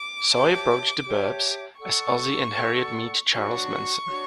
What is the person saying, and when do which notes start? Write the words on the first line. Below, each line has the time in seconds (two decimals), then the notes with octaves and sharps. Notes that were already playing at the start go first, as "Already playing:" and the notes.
So I approached "The 'Burbs" as "Ozzie and Harriet Meet Charles Manson".
Already playing: D6
0.31 G4 C#5 E5 A5
1.05 G4 C#5 E5 A5
1.80 A4 D5 F#5 C#6
2.56 A4 D5 F#5
3.32 D4 F#4 C#5 C#6
4.06 D4 F#4 C#5